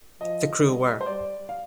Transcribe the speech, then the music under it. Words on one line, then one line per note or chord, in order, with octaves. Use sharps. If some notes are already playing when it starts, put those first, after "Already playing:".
The crew were.
F3 D#5
G3
C5
G3 D5
F5